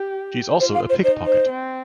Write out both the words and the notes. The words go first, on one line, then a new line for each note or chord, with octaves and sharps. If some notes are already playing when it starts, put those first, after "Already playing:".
She is also a pickpocket.
Already playing: G4
F4 C5
F5
C5
D#4 C5
C5
C4